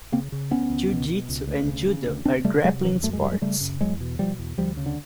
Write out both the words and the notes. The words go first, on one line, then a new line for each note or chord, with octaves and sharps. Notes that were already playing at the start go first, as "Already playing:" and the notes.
Jujitsu and Judo are grappling sports.
C#3 A#3 C4
C#3
D2 B3 C#4
C#2
B2
B2
C#2
D2
C#3
C#3
D2
D2 C4 D4
C3 G3 A3
C3 F#3 G#3
D2 E3 F#3
F#2 A3
G#3
C#3 G3
F#3 G#3
C#3 G3 A3
F#2
E2 F#3 G#3
B2
B2 F3 G3
E2
D2 F3 G3
C#3
D3